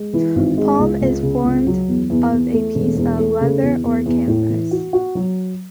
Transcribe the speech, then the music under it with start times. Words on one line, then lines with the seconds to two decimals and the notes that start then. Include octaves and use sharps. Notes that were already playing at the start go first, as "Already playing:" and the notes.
Palm is formed of a piece of leather or canvas.
Already playing: G#3
0.13 E3
0.36 G#1
0.58 G#3
0.79 C#2
1.01 C#2
1.22 C#3
1.44 C#2
1.67 F#3
1.88 E2
2.10 E2
2.31 E2
2.53 A3
2.75 E1
2.97 E2
3.19 A3
3.41 C#3
3.62 E2
3.84 E2
4.06 E2
4.28 A2
4.49 E3
4.71 F#4
4.93 F#4
5.15 F#3